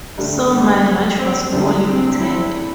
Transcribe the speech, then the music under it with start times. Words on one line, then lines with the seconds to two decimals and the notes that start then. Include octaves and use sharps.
So my rush was more limited.
0.18 G2 D3 A3 D4
0.51 G3
1.19 C4
1.52 E2 D3 G3 A3 D4
1.86 C4
2.18 C4 E4